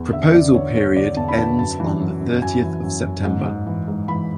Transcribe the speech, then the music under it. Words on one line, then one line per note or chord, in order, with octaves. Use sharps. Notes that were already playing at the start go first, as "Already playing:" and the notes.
Proposal period ends on the thirtieth of September.
Already playing: E2
D3 E5
E2 D5
D3 C#5
D3 C#5
D3 D5
E2 A5
B5
D3 A5
F#2 A5
E3
F#2
F#2
F#2 G#5
E3
F#2
F#2
G#2
G#2
E3
G#2
E3 B5